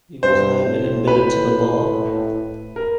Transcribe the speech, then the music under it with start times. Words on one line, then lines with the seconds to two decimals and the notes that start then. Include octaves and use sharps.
He was then admitted to the bar.
0.23 G2 C5
0.65 A2
1.08 B4
2.76 A#4